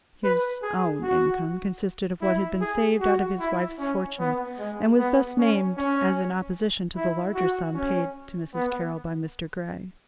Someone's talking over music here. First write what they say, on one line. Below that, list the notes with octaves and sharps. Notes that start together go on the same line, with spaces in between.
His "own" income consisted of what had been saved out of his wife's fortune, and was thus named as in opposition to the larger sum paid to Mrs. Carroll by Mr. Grey.
B4
G#4
F#4
E4
G#4
F#4
E4
C#4
B3
G#3
B3
C#4
C#4
E4
F#4
C#4
B3